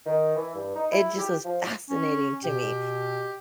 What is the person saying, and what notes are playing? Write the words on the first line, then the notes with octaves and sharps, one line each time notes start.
it just was fascinating to me.
D#3
E3
G2
D#4
E4
G4
F3
C#4
B2 G4